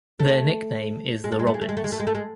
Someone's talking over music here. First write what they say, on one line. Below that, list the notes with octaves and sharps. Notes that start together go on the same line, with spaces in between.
Their nickname is the Robins.
A3
G#3
A3
G#3
A3
G#3
A3
G#3
A3
G#3
A3
G#3
A3
G#3